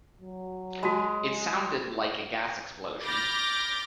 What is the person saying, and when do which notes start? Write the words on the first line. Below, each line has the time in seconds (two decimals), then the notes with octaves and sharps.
It sounded like a gas explosion.
0.21 F#3
0.83 G#3 F#4 A5 B5
3.03 B5 D6 F6 G6 A6 A#6